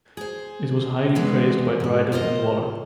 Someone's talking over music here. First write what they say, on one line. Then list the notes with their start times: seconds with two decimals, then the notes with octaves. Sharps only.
It was highly praised by Dryden and Waller.
0.17 G#4 C5
1.15 E3 G3 G#3 B3
1.80 G#2 G4
2.12 F4 A#4 C5 D#5